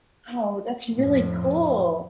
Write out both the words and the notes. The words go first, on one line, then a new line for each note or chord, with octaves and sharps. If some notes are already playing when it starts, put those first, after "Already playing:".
Oh, that's really cool.
F2 A2